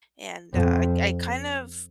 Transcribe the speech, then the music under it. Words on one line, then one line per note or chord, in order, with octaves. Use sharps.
and I I kind of
F2